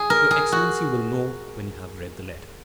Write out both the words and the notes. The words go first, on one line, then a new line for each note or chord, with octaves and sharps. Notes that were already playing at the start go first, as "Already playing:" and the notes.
"Your excellency will know when you have read the letter."
Already playing: G#4
A#4
G#4
F#4